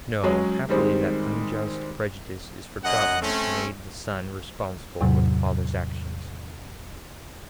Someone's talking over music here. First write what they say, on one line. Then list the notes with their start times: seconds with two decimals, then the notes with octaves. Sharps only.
No, happily that unjust prejudice is forgotten which made the son responsible for the father's actions.
0.23 F#3 G#3 C#4 G#4
0.69 D#3 G3 G#3 C4
2.84 F#2 D#5 F#5
3.22 A3 C4 C#4
5.01 E2 A2 C3 F#3